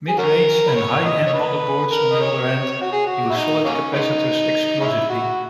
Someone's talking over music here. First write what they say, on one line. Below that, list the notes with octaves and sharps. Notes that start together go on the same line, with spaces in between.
Mid-range and high-end motherboards on the other hand use solid capacitors exclusively.
G#4
C#4 F#4 A#4
B4
C#5
D#5
C#5
B4
A#4
D#5
C#5
F#4
G#4
F#4
E4
D#4
F#3 A#3 C#4
G#3 B3 D#4
G#3 C#4 E4
F#4